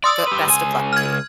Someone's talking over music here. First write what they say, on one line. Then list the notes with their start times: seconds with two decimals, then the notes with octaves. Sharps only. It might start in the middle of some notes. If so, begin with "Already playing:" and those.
Goo Best of luck to you.
0.04 D5 C6 D#6 E6
0.27 G4 B4
0.47 C#2 G#5
0.93 F6 G#6